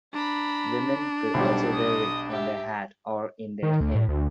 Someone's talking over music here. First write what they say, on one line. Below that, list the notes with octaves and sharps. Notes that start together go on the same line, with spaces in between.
Women could also wear it on their hat or in their hair.
D4 A#5 B5
B1 G3 C5 A5
D#5 D#6
G4 E5
D#3
D2
A2
D2